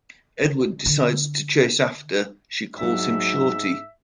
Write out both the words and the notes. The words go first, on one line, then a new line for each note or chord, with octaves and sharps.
Edward decides to chase after she calls him "shorty".
D3
G#2 F#3 D4 E5